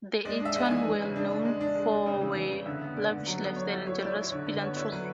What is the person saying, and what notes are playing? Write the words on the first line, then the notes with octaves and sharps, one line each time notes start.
The Eatons were well-known for their lavish lifestyle and generous philanthropy.
G#3 D5
D4
E5
G#3
G#5
E3
E3
C#3
D4
D4
G#3
D4
G#3
G#3
C#3
E3
E3
C#3
D3 E5
B3
D3 D5
D3
F#3 B4
B3
F#3 C#5
E4
E4 C#5
E4 D5
C#5
E4
C#5
D3
D3 B4
B3 C#5
E4 C#5
F#3 B4